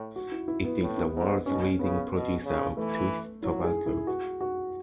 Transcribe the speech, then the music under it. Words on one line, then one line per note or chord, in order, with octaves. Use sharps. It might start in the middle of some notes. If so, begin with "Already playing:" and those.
It is the world's leading producer of twist tobacco.
Already playing: A2
F#4
E4
E4
B3
A2 B3
B3
G#2
B2 C#4
C#3 B3
B2
C#3
E3 A3
F#3 E4
G#4
E4
F#4
F#4